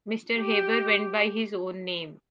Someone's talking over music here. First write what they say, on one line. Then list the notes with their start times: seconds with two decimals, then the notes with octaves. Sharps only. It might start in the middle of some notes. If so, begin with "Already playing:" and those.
Mr Haber went by his own name.
0.36 G4